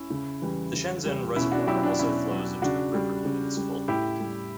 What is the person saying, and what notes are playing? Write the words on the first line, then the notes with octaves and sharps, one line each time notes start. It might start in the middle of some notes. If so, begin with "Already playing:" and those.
The Shenzhen Reservoir also flows into the river when it is full.
Already playing: C#4 E4
C#3
E3 G3
C#3
E3 G3
B2 C#4 E4
D4 F#4
F#3 E4 G4
D4
B2 C#4 E4
F#3
C#3 D4 F#4
G3
C#3
G3
A2 E4 G4
G3